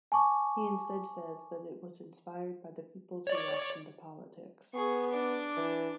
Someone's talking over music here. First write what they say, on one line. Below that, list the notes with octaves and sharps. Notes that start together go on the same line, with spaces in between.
He instead says that it was inspired by the people's reaction to politics.
G#5 A5 C#6 D6
C#5 D5
B3 G#4 C#6
D4 D6
E3